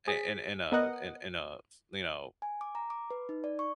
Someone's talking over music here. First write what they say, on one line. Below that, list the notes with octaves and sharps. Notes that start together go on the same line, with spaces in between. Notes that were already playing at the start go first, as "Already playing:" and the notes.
i in in a in in a, you know,
G#4 B6
B3 A#4 D#5 F#5
G#5
D6
A#5
D6
B4
D#4
D5
C#6